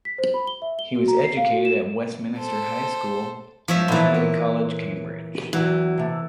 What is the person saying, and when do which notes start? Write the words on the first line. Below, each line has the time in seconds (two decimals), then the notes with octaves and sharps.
He was educated at Westminster School and Trinity College, Cambridge.
0.05 B6
0.18 C5
0.34 B5
0.47 G7
0.62 E5
0.79 G7
0.96 F#4
1.08 A#5
1.24 C7
1.37 F5
1.52 F#4
1.65 E7
2.37 A4 C5
3.68 F3 C#5 E5
3.88 A#2 E3 A3 B3 A4
4.14 A#4 C#5
5.53 E2 E3 F#3 G5
5.98 C3 A3